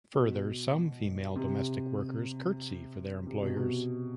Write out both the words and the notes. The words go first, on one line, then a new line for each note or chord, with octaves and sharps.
Further, some female domestic workers curtsey for their employers.
B2
C3
C3
B2
B2